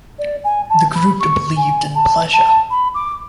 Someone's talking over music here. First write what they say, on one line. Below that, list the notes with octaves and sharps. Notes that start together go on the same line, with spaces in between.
The Group believed in pleasure ...
D5
G#5
A5
B5
C#6
G#5
A5
A5
B5
D6